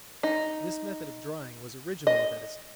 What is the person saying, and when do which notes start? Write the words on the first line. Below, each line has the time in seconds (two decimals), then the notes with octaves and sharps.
This method of drying was original with Edison.
0.23 D#4
2.07 D#5